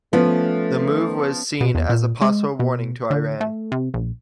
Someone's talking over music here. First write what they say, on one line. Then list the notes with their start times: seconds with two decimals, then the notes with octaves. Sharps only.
The move was seen as a possible warning to Iran.
0.13 F3 A3 B3 C#4
1.61 B2
1.75 E2
1.90 A#2
2.22 G#3
2.60 B2
3.10 D3
3.41 A3
3.72 C3
3.94 A#1